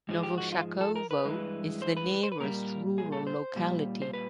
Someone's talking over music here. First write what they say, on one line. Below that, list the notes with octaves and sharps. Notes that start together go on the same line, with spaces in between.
Novoshakovo is the nearest rural locality.
G#2 F3 G#3
G4
F#4
F4
A4
A#4
B4
G2 E3 G#3
C5
B4
C5
B4
A#2 G3 A#4
G#4
A4
C5
A#2 G3
C5
B4